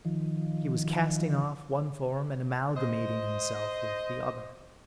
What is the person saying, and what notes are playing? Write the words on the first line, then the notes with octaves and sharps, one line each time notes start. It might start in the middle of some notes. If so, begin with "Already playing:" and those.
He was casting off one form, and amalgamating himself with the other.
D#3 F3
C5 D#5